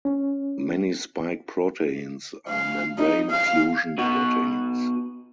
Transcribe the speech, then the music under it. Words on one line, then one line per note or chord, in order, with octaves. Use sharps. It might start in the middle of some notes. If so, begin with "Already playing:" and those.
Many spike proteins are membrane fusion proteins.
C#4
F5
D#4
F5
B2 D#4 F#4